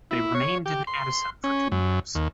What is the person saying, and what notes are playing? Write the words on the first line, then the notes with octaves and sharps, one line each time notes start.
They remained in Addison for two years.
E4
C#5
G4
C6
C#4
F#2
D#2